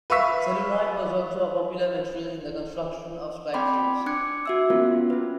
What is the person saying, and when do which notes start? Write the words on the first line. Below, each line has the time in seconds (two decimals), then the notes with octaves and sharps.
Celluloid was also a popular material in the construction of slide rules.
0.10 B4 E5 F5 C#6 E6 B6
3.54 C4 D5 G5 B5 C6 D6
4.06 D4 D6 F#6 G#6 C#7
4.46 F#4 E5 E6
4.70 A#3 B3 C#4 F4 A#4
5.10 C#4 B4